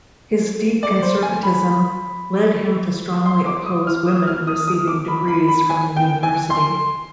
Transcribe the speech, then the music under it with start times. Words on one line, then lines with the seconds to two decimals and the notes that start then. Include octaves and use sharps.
His deep conservatism led him to strongly oppose women receiving degrees from the University.
0.83 D5
1.03 C5
1.22 G#5
1.43 B5
3.26 C6
3.46 D6
3.66 D#6
3.87 F6
4.07 D#6
4.27 F6
4.47 D#6
4.68 D#6
4.88 D6
5.08 B5
5.28 B5
5.48 B5
5.69 G#5
5.97 G5
6.23 G#5
6.50 C6